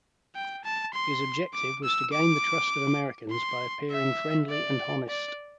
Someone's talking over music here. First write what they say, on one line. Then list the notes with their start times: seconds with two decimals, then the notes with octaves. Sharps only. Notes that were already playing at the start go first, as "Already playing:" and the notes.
His objective was to gain the trust of Americans by appearing friendly and honest.
0.35 G5
0.64 A5
0.94 C6
1.54 D6
1.84 E6
2.13 D6
3.31 C6
3.90 E5
4.50 D5
5.09 D5